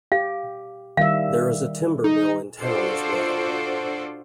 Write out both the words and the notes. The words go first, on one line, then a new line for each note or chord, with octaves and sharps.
There is a timber mill in town as well.
G4 F5
D#3 G3 E5 F5
D#4
D4 F4 F#4 A4 C5 D5